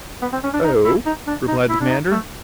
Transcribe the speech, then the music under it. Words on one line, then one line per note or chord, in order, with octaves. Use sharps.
"Oh?" replied the commander.
B3
C4
C#4
D4
D#4
E4
D#4
D4
D#4
E4
D4
D#4
A3